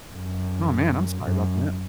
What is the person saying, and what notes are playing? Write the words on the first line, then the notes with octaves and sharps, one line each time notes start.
Aw, man, I'm sorry 'bout that.
F#2
F#2